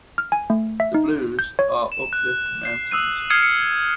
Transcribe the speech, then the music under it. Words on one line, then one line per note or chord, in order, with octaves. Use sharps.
The Blues are uplift mountains.
F6
G#5
A3
E5
D#4
G6
C#5
E7
F#6
C7
D#6 E6 F#6 D#7
D#6 F6 G#6 C7 C#7 D#7
C#7